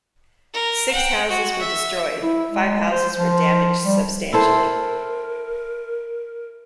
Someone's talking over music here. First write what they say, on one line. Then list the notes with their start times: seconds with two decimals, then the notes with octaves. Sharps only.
Six houses were destroyed; five houses were damaged substantially.
0.54 A#4
0.91 F#5 G5
1.28 F#4
1.60 E5
2.22 E4
2.52 G#3
2.91 C5
3.18 F3
3.84 G3
4.33 E4 A4 A#4 C5